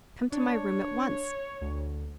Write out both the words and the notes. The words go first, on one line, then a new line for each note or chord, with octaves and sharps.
Come to my room at once.
D4 C#5
D2